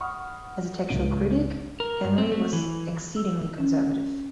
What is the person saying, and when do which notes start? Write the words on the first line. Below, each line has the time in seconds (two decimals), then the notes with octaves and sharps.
As a textual critic Henry was exceedingly conservative.
0.01 F#5 B5 C#6 D#6 F6
0.89 C#2 G#2 C#3 D7 D#7
1.80 A#4
2.04 G2
2.18 C4
2.32 A3
2.53 E3
3.16 E6
3.58 C#4